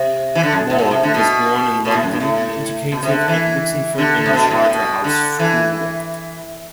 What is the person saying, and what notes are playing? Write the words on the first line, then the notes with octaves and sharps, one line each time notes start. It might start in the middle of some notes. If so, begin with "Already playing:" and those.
Maude was born in London and educated at Wixenford and Charterhouse School.
Already playing: C3
E3
D3
F#2
A2
B2
C3
D3
B2
B2
A2
F#2
G2
A2
B2
C3
D3
E3
D3
D3
C3
B2
A2
B2
D3
E3